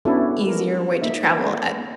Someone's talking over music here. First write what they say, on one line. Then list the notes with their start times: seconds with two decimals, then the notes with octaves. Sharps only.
easier way to travel at
0.05 B3 C#4 D4 E4 F#4 A4
0.47 A#4
1.02 A#3 D#4 E5